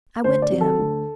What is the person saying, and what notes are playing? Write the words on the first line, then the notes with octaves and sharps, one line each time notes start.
I went to him.
D2 C5
D5
C3 F#3
A4
D2